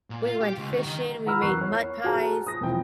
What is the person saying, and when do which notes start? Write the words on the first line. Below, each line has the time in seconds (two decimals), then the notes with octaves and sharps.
we went fishing, we made mud pies,
0.10 A#2
0.25 F4
0.41 G4
0.57 C#2
0.72 D#3
0.86 D#3
1.26 F#5 A#5 B5 E6 F6
1.42 E2 A#4 C#6 F#6 C7
1.61 C#5
2.04 F#4 G#4 A5 A#5 F6
2.47 D#6 A#6
2.60 E1 F3 C4 E4 G5